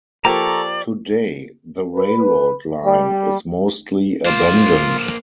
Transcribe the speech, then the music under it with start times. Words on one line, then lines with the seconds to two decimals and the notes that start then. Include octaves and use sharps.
Today the railroad line is mostly abandoned.
0.25 F3 A#3 G4 A4 D5 A#5 C#6
1.95 B4
2.85 G3
4.26 A#3 F4 C5